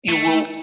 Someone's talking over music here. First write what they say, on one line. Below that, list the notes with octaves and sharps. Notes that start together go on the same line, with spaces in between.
you will,
A3